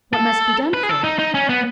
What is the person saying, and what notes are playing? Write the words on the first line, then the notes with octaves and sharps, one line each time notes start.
"What must be done for it?"
A4
B4
G#4
A4
D#4
D#4
C#4
B3